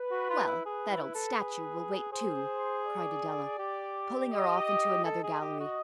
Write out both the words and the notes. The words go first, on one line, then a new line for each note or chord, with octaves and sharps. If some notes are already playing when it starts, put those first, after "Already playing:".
"Well, that old statue will wait, too," cried Adela, pulling her off into another gallery.
Already playing: B4
F#4
F4
E4
G#4 B4
E4
A4
G#4
G#4 C5
D5
G4
D#5
A4 D#5
G#4
G4
F#4